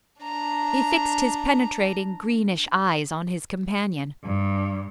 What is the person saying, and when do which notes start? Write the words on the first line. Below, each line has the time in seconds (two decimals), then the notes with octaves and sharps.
He fixed his penetrating greenish eyes on his companion.
0.22 D4 A#5
4.24 G2